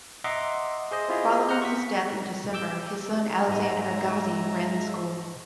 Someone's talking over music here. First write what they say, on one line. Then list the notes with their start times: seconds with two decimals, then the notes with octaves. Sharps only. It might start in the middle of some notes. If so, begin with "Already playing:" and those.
Following his death in December, his son Alexander Agassiz ran the school.
0.24 D#5 E5 F#5 A#5 C6 D6
0.91 G#4 C5 D#5
1.08 C4 E4 F4 G4 G#4 D#5
1.49 F#5 A#5 F6 G6
1.62 C#6 B6
2.53 G5 D6 E6 G6
3.48 G#2 G#3 D#5 E5 A#5